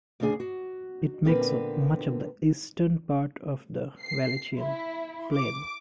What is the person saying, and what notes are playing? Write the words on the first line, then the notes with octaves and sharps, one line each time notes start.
It makes up much of the eastern part of the Wallachian Plain.
D2 A2 C#3 D4 G#4 G#5
F#4
A#2 D3 B3 C4 A#4 B4
C7
E4
D6